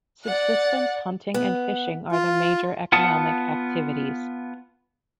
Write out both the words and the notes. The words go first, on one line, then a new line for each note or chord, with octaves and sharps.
Subsistence hunting and fishing are the major economic activities.
D5 F#5
B3
F4
B3 F4 F#5 A5 D#6